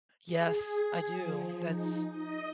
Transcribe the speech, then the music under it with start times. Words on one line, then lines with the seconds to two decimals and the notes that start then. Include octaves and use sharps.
Yes. I do. That's
0.26 G#4
1.16 F3
1.64 D#4
2.08 D#5